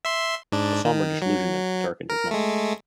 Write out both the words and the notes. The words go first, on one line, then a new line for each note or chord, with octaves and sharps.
A sombre disillusionment darkened his mind.
E5 C6
G#2 D4
D#3
F#3
A#4
G#3 A3